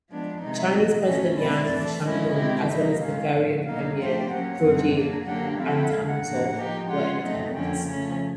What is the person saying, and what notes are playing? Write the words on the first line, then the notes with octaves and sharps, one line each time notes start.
Chinese President Yang Shangkun as well as Bulgarian Premier Georgi Atanasov were in attendance.
F3 G#3 B3 D4
C3 D#3 G#3 C4 D#4
E5
E2 B2 F#3 A3 D#5
E3 A3 C#4
B2 G#3 C4 E4 D5
E3 A3 D4
D3 F3 G#3 C#4 E4 D#5
B2 G#3 C4 E4 G4
C3 E3 G3 A#3 D#4 E5
D#3 G#3 C#4 F5
A2 F3 A3
B2 F#3 A#3 D#4 F5
F3 A3 D4 G4 C5
F#3 A#3 C#4 F#5
F#2 D3 G3 C4
F#3 A#3 D4
D3 F#3 A#3 D4 G4 F#5
F3 A3 C4 E4 A4 F5
F#5
G5
F#5
D#2 D#3 G#3 F5
F#5
A2 F3 A#3 D4
F3 A#3 D#4 G4
G#3 C#4 F4 F#5
F#3 A3 C4 D#4
F2 D3 F3 A#3 C#4 G5
C#3 F3 A3 C#4